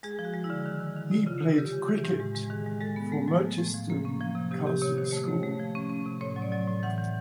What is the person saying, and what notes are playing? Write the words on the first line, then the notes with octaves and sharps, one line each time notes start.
He played cricket for Merchiston Castle School.
G#3 G#4
F3
F#4
G#3
E4
D3
D#3
D#3
D#3
C3
C#3 F4
C#3
C#3 G4
G#3
E3
A2
G#3
G#3
D#3 G#4
G#3
G#3 A4
B3
A3
F#3
A3
A2
F3
A#3
C#4
F3
C3
C3 G4
C3 G4
C3 C#5
D#3 C#5
C5
A3 C#5
A3
A3
F3
C#4
C#4
C3
A2 C#5
F#3
D5
F#3
A2
E3 F#5
E3